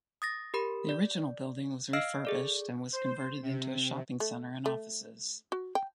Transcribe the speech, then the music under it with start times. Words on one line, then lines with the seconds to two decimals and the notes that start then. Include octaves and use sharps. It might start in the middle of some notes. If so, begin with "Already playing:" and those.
The original building was refurbished and was converted into a shopping centre and offices.
0.22 D#6 A6 A#6
0.54 G4 A#4 B5
0.89 D5
1.93 D#5 F5 E6 F6 C7 D7
2.25 G#4 A4 D5
2.93 C5
3.43 C3
4.20 A3
4.66 A3
5.52 F#4
5.75 G5